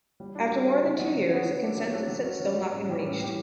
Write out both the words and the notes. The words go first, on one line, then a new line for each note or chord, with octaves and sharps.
After more than two years, a consensus had still not been reached.
G3
D4 F#4
G3
D4 F#4
C#3
F#3 B3 F#4
C#3
F#3 B3 F#4
F#3
A3 D4 G4
F#3
A3 D4 G4
F#3
C#4 F#4
F#3
C#4 F#4
A2
E3 G3 C#4 G4
A2
E3 G3 C#4 G4